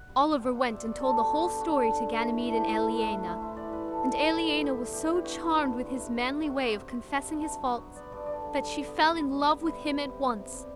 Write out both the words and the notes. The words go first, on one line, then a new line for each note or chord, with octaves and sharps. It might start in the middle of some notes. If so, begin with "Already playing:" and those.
Oliver went and told the whole story to Ganymede and Aliena, and Aliena was so charmed with his manly way of confessing his faults, that she fell in love with him at once.
Already playing: F#5
G3
C4
B2 G5
B2 F#5
C4 D5 E5
G3 D5
G3 A4
G3 F#4
G2
G4
D3
D3 F#4
D3
G3
G2
E3
E3 B4
A4
A2
G4
A3 F#4
A3 E4
A3 D4
A3 E4
A3 E4
E3 C5
E3 D5
G3 B4
G3 A4
G3 A4
E3
A2
G3
B3 G4
G2
E3 G4
E3
G4
G2 F#4
B3
G2
G2
C4
C3
C4
C3
C3 F#4
C4 G4
F#4
C4
C4
G2
G2
G2
F#3
F#3 F#4
B3
B3 D5
G2 D5
D3 D5
D3
G3
G3
B3
G3
G3
G3
B3
C3
B3
C3
C3
B3
C3
C3 D5